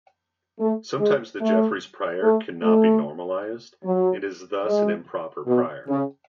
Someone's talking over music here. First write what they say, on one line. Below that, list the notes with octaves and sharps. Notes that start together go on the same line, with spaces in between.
Sometimes the Jeffreys prior cannot be normalized, and is thus an improper prior.
A3
G#3
A3
A3
A3
F#3
G#3
B2
C#3